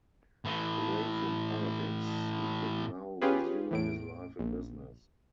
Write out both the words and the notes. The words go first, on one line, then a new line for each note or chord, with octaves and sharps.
Away from politics, he could now resume his life in business.
A2 E3
C#4 F4 G4 G#4 B4
E2 A2 D7
A#1